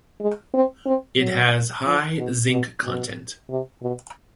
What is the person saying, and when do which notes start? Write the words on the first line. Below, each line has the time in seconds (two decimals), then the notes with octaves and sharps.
It has high zinc content.
0.20 G#3
0.54 C4
0.86 C4
1.19 F#3
1.85 F3
2.18 B2
2.50 B2
2.84 B2
3.49 C3
3.82 B2